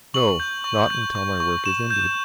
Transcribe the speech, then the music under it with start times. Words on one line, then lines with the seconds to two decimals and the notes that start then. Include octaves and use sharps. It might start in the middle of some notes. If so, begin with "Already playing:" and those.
"No; not until my work is ended."
0.14 C#6 F#7
0.40 G6
0.64 C#6
0.90 G6
1.15 C#6
1.40 C#6
1.65 C#6 E7
1.90 G6